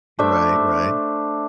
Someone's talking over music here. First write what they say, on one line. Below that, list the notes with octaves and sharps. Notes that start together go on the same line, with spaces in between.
Right, right.
A3 D4 C5 E5